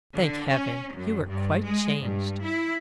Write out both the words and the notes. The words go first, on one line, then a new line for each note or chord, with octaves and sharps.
'Thank heaven, you are quite changed.'
D3
C#4
F#2
G2
G#3
G2
E4